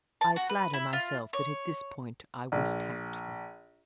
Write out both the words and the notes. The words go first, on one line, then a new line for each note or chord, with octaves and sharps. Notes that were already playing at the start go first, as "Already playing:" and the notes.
I flatter myself that at this point I was tactful.
A5
F#4
B4
E4
F4
C#5
A#1